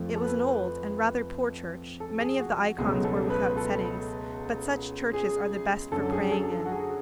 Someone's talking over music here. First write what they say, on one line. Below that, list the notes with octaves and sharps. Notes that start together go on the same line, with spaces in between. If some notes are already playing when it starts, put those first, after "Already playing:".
It was an old and rather poor church; many of the ikons were without settings; but such churches are the best for praying in.
Already playing: F2 F3 A3
A4
B4
A4
G#4
F#4
C#2 B2 F#3 A3 G#4
A4
B4
A4
G#4
F#2 D3 F#3 A4
G#4
G#4
A4
A4
F#4
G#4